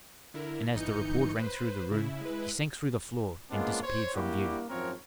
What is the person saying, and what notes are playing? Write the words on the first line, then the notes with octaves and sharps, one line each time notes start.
And as the report rang through the room, he sank through the floor, and disappeared from view.
D3 E4 A#4
G1 E3 D#4 G6 C#7
B4 C5
C#3 E4
G#3 E4 B4
G#3 A#3 B3 C#4 D4 F4
C5 C#5
G3 A#3 D4 E4 F#4 G4
G#1 F#2 F3 C4 A#4 C#5